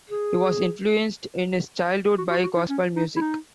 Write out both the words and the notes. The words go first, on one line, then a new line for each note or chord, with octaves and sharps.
He was influenced in his childhood by gospel music.
G#4
F#4
F#4
F#4
E4
C#4
D#4
E4
D#4